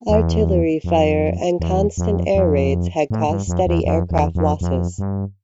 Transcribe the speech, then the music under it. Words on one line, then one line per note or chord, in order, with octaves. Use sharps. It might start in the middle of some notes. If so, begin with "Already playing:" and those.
Artillery fire and constant air raids had caused steady aircraft losses.
E2
F2
E2
F2
F2
A2
G2
F2
E2
F2
E2
F2
F2
G2